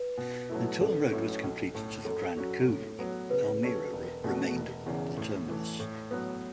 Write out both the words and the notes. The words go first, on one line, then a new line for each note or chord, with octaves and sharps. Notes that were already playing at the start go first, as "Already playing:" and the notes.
Until the road was completed to the Grand Coulee Almira remained the terminus.
Already playing: B4
B2
F#3 A3 E4
A1 A4
A2 F#3 C#4 E4
B1
A2 A3
F#2 A4
F#3 C#4 F#4
A2
F#3 B3
C#3 B4
F#3 C#4 A4 C#5
E1
E2 B2 A3 F#4
E1
E2 C#3 E3
A2
E3 A3
A2
F#3 B3